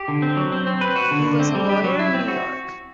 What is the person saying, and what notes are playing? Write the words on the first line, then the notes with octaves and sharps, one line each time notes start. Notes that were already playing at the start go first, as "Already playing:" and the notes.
He was a lawyer in New York.
Already playing: G4
D3
C4
F#3
C4
C4
B4
F#4
D3
D3
C4
G3
G4
F#3
E4
C4
F#4